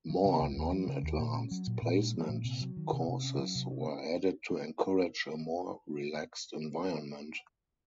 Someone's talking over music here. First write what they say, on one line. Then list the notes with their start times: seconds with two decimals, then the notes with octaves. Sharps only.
More non-Advanced Placement courses were added to encourage a more relaxed environment.
0.10 F#3
0.25 C#3
0.41 C#2
0.57 D#2
0.72 F3
0.88 C#3
1.03 D#2
1.19 A#2
1.35 C#4
1.51 F#3
1.67 A#2
1.82 A#2
1.99 G#3
2.14 F3
2.29 A#2
2.44 C3
2.61 F#3
2.77 D#3
2.93 C3
3.08 C3
3.23 C#4
3.39 F#3
3.55 C3
3.71 C#4